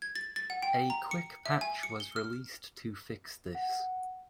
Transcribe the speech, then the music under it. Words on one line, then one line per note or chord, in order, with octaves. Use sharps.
A quick patch was released to fix this.
G#6
A6
A6
F#5
G5
A#5
C#7
E5
G#5
C#7
G7
F6
F#5